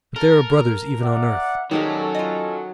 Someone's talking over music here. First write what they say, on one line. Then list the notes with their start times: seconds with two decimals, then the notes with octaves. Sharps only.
But there are brothers even on earth....
0.16 A4 A#4
1.02 D5 E5 F#5
1.71 A#2 D#3 F#3 G#3 C#4 G4 A4
2.15 F4 D#5